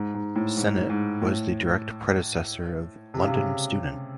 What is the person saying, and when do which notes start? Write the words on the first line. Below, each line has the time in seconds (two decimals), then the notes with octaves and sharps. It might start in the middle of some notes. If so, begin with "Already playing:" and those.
"Sennet" was the direct predecessor of "London Student".
Already playing: G#2
0.14 G#2
0.35 A2
0.57 G#2
0.90 G#2
1.21 A2
3.14 C3
3.22 C#3
3.28 C3
3.35 C#3